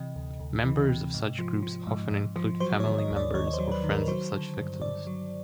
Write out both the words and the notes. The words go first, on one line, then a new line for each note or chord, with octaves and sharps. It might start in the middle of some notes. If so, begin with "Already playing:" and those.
Members of such groups often include family members or friends of such victims.
Already playing: C3 E3 D#5
D2
D2
E3
C3
G#2
F3
F3
G#2
G#2
F3
F#3 C5
C#5
D#3
D#5
D#2
D5
D#2 C#5
C#5
C5
F#3
B4
D#3
A#4
F#3 C5
D3
G2
G2 D5
F#3